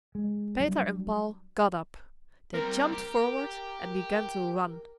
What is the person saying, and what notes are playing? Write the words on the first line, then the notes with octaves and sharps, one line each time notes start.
Peter and Paul "got up." They jumped forward and began to run!
G#3
F#3 G3 D4
G3 C4 A#4
G4